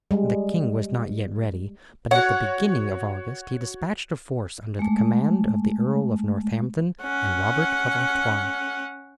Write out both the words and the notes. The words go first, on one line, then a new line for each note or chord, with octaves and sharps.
The king was not yet ready, but at the beginning of August he despatched a force under the command of the Earl of Northampton and Robert of Artois.
G3 G#3
F#4 C#5 F#5
G#3 A3
C#4 F#5